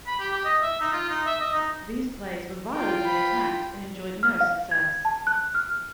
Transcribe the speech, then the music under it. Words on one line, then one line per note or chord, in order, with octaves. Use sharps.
These plays were violently attacked and enjoyed no success.
B5
G4
G4
D#5
E5
D#4
F4
D#4
E5
D#5
D#4
F4 G5
B5
F6
F5
G#6
A5
F#6
F6